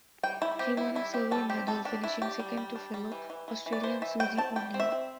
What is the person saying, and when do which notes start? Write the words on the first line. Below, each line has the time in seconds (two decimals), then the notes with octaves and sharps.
She won a silver medal, finishing second to fellow Australian Susie O'Neill.
0.23 G3 G5
0.42 G3 E4
0.59 C4 G4
0.77 G3 E4
0.95 G3 E4
1.14 C4 G4
1.31 G3 A4
1.50 C4 G4
1.67 G3 A4
1.85 D4 G4
2.04 D4 E4
2.22 D4 G4
2.39 G3
2.57 G3
2.76 D4
2.94 G3
3.12 E3
3.30 E3
3.48 E3
3.66 E3
3.73 D5
3.83 E3 C5
4.02 E3 E5
4.20 G3 G5
4.37 C4 A5
4.56 G3 G5
4.74 C4
4.80 E5
4.92 C4